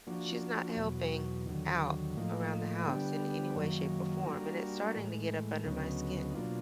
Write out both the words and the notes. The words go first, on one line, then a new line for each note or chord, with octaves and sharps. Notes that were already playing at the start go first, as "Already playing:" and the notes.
She's not helping out around the house in any way, shape, or form, and it's starting to get up under my skin.
F3 A#3 D4 F#4
E2 B2 F#3
D#2 D3 F#3
A2 F3 A#3 D#4
D3 G3 B3 D4 G4
F#2 D#3 F#3 A#3
G3 A#3 D4 F#4 A#4
A2 E3 G#3
D2 C#3 F#3 B3 D#4
B2 F#3 A#3 D4 F4